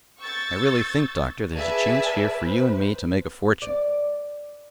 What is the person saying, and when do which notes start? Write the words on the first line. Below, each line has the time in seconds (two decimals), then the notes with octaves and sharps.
I really think, Doctor, there's a chance here for you and me to make a fortune.
0.20 C#6 E6 G6 A6
1.55 G#4 B4 D5 E5 G#5 A5
2.38 B4 C5
3.62 D5